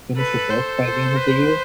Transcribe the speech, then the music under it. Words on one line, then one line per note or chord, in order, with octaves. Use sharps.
finish a book by the end of the year
A4 B4
C5
C5
B4